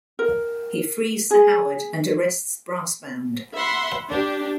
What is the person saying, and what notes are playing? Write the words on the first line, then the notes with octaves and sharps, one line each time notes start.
He frees Sir Howard and arrests Brassbound.
A#4
G#4
E5 F#5 B5 C6
D4 G4